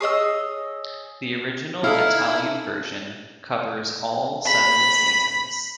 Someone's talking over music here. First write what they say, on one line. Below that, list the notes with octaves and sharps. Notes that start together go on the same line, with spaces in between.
The original Italian version covers all seven seasons.
G#4 C#5 D#5 E6
D#4 E4 A4 F5
B5